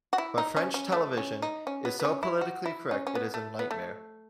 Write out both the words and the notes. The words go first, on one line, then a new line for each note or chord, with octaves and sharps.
But French television is so politically correct it is a nightmare.
F#4
E4
D#4
C#4
C#4
A3
C#4
D#4
C#4
B3
B3
C#4
E4
F#4
E4
C#4
C#4
B3
A3
B3
A3